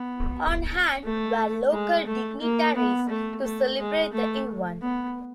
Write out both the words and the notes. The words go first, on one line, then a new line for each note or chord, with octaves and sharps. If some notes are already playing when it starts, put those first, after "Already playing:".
On hand were local dignitaries to celebrate the event.
Already playing: B3
A3
G#3
A3
A#3
B3
A3
A3
G#3
A3
B3